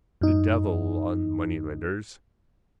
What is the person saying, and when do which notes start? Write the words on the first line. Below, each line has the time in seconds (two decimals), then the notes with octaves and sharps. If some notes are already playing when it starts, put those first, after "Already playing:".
The devil on moneylenders.
0.21 F#2 D#4